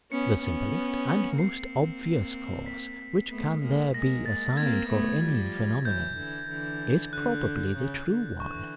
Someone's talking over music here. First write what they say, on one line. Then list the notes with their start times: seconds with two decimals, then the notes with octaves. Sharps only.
The simplest and most obvious cause which can there be assigned for any phenomenon, is probably the true one.
0.11 B3 C#4 C#7
0.43 B3 C#4
1.38 A#3 C4 C7
2.66 B6
3.30 A3 B3
3.62 G#3 A#3
3.93 G#3 A#3 A#6
4.26 A6
4.57 A#3 C4 G#6
4.89 A3 B3
5.21 F3 G3
5.85 E3 F#3 G6
6.16 D3 E3
6.49 D3 E3
7.13 D3 F#6
7.77 C#3
8.08 D3
8.40 D3 E3 C#6